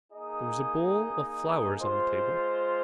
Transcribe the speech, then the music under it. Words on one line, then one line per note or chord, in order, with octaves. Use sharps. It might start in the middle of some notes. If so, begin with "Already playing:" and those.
There was a bowl of flowers on the table.
A#3 D#4 G#4 D#5
G#3 F4 C5